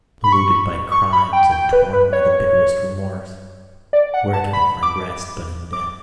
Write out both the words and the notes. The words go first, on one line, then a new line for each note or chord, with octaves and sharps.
Polluted by crimes and torn by the bitterest remorse, where can I find rest but in death?
B5
C#6
C#6
B5
G5
G5
B4
B4
C#5
D5
F#5
A5
B5
D6
D6